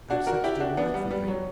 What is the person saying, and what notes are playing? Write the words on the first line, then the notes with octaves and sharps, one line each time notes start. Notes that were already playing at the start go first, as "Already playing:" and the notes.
I had such a delightful dream.
D4 F#4
F#4 A#4
E4 G4
D4 F#4
B3 D4
G3 B3
G3
F#3